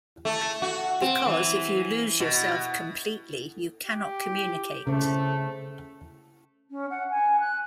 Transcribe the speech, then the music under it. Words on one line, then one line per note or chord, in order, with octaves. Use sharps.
Because if you lose yourself completely, you cannot communicate.
A3
F#4
C4
E3
B2
G4
C#3 A3 C5
C#4
F#5
G#5
F#6